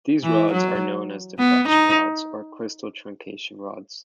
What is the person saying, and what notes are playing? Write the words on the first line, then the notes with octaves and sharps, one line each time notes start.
These rods are known as diffraction rods, or crystal truncation rods.
E3
F#3
B3
D#4